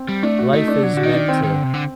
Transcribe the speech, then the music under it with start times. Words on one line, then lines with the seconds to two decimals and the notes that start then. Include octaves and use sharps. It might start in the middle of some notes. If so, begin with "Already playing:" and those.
life is meant to,
Already playing: C4
0.09 G3
0.23 A3 D4
0.39 F#4
0.53 A3 D#4
0.68 D4
0.83 F#3
0.93 D3 F#4
1.03 D#3 D#4
1.13 D4
1.28 C4
1.43 D#3 C4
1.54 D3
1.63 C3
1.74 D3